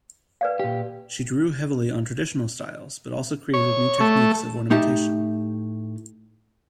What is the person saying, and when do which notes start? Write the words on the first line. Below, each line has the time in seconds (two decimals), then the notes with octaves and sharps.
She drew heavily on traditional styles, but also created new techniques of ornamentation.
0.41 B4 D5 F5
0.59 A#2 G4
3.54 C#5
4.00 A3
4.70 A2 A3 D#4 G4 A5